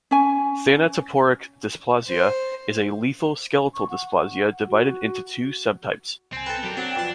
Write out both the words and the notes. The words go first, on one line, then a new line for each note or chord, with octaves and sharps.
Thanatophoric dysplasia is a lethal skeletal dysplasia divided into two subtypes.
C#4 G#5
C5
C#6
F#5
F#4
C2 C4 G#5
A4 B4 G5
F#3 D4 F#4 G4 A#4
F#3 C4 D4
F2 F4 B4 F#5 C6